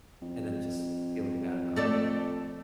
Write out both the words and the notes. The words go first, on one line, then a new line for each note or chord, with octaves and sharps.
and then just feeling bad about it.
F2
A3 A4 D5